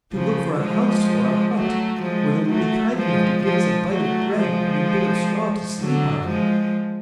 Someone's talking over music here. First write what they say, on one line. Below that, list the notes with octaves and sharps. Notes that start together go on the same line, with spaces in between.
"To look for a house or a hut, where they will be kind enough to give us a bite of bread and a bit of straw to sleep on."
C#3 F3
F3 G#3
F#3 A3
F3 G#3
F#3 A3
F3 G#3
F3 G#3
F#3 A3
F3 G#3
D3 F#3
F3 G#3